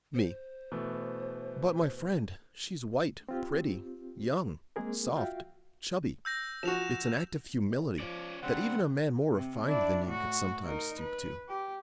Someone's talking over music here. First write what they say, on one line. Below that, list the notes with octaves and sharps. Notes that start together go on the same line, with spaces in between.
ME: But, my friend, she's white, pretty, young, soft, chubby--it's an act of humility that even a man more refined than you could sometimes stoop to.
C5
B2 E3 A3
C4 F4 G4
G#3 A#3 C4 G#4 A#4
F4 F#4 E5 F5 G5
E6 G6 A#6
F3 F#4 E7 F7
C#2
F3 C#4 D5
C#3 G3 C4 D4 F#5
C3
D4 E4
A2 F#4
D#4 A#4
B4
G4